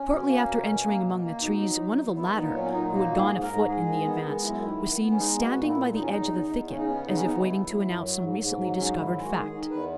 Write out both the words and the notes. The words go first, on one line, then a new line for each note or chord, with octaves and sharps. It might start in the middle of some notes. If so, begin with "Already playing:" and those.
Shortly after entering among the trees, one of the latter, who had gone afoot in the advance, was seen standing by the edge of the thicket, as if waiting to announce some recently discovered fact.
Already playing: C#4
B2
A#3
B2
B2
A#3
B2
A#3
B2 D#4
F#3
F#3
E2
B3 E4
A#2 D#4
F#3 C#4
A#2 D#4
A#3 D#4
G#2 F#4
G#4
G#2
A#4
G#2
G#3 G#4
D#3
B3
G#3
F#2 E4
D#3
B3
B3
C#4
G#3 D#4
B3
F#4
A#2
E4
A#2
E2 D#4
C#4
E2 D#4
E2
E2
C#3 C#4
D#4
B3 C#4
C#3 D#4
C#4
B3 D#4
B3 E4
F#3
F#2
F#3
G#2
G#2
F#3
G#2 C#4
D#4
D#3 E4
G#3
F#4
D#3 G#4
D#3
E2 B4